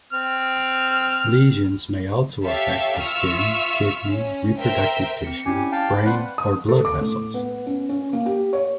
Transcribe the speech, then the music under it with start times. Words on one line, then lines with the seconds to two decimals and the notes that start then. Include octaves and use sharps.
Lesions may also affect the skin, kidney, reproductive tissue, brain, or blood vessels.
0.13 C4 F6
2.44 G4 A4 C#5 E5 F5
2.99 F4 E5 C#6 E6 F6
4.10 C#4
4.58 A#4 C5 E5 G5
5.24 C4 C#7
5.46 C#4 D4 E4 G4 G#5
5.72 F5 G5 A5
5.93 B5 F#6
6.06 C4 B4 C5 D5 F#5 C6
6.38 D#6
6.69 A4
6.85 D6
7.01 A2
7.34 B3
7.66 C#4
7.89 C#4
8.13 A#3
8.26 G4
8.53 C#5